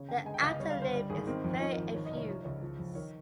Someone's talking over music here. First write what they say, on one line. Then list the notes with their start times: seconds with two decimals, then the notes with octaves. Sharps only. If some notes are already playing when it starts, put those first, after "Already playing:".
The outer lip is very effuse.
Already playing: C#3 C#5
0.09 G1 G5
0.25 G#3 G#5
0.34 G5
0.42 C#2 F5
0.51 D#5
0.60 G3 C#5
0.70 F5
0.76 G1
0.82 C5
0.93 G3
1.10 G#1 G#4
1.27 D#3 C4
1.44 F2
1.60 F3 D#4
1.71 A#4
1.77 G#1
1.94 D#3 C#5
2.06 D#5
2.11 C2
2.17 C#5
2.28 F3 C#5
2.44 C#2 C#5
2.62 F3
2.79 F2
2.95 D#3 C#5